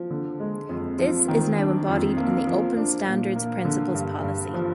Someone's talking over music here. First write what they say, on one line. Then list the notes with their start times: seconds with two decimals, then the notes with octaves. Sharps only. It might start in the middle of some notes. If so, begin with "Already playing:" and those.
This is now embodied in the Open Standards principles policy.
Already playing: F3
0.10 D3
0.40 G#3
0.69 F2
0.99 F3
1.28 D#3
1.58 D4
1.88 F2
2.17 A#3
2.47 F3
2.77 D4
3.06 A#2
3.36 A#3
3.65 D3
3.95 G2
4.24 G2
4.54 F3